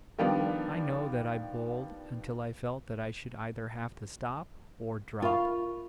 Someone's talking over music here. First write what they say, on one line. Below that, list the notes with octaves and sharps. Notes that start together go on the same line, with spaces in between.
I know that I bowled until I felt that I should either have to stop or drop.
D#3 F3 G3 B3 D4
F4 A#4 F5 B5 C#6